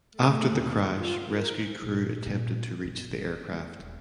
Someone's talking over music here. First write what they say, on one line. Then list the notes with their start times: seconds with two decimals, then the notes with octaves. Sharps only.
After the crash rescue crew attempted to reach the aircraft.
0.13 A3
0.46 D#2
0.88 F4
1.21 A#4
1.82 A#1
2.26 A#2
2.68 G#2
2.85 B2
3.09 G1
3.53 A3
3.79 E1